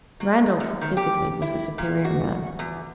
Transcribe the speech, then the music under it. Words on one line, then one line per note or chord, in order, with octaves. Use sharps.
Randolph, physically, was a superior man.
F#3
F#2
D#3
G4
E4
A#2
F#4
E2